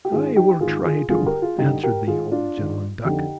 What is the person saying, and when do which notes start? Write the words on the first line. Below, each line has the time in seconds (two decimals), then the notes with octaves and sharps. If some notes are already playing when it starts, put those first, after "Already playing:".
"I will try to," answered the old gentleman duck.
0.05 G4
0.12 G#2 D#3 F4 G#4
0.36 D#4 G4
0.60 G#2 D#3 F4 G#4
0.85 F4 G#4
1.09 G2 D3 F4 G#4
1.26 G4 A#4
1.42 F4 G#4
1.58 G2 D3 D#4 G4
1.83 G4 A#4
2.07 G#2 D#3 F4 G#4
2.31 D4 F4
2.57 G#2 D#3
3.05 F2 D3 D#4 G4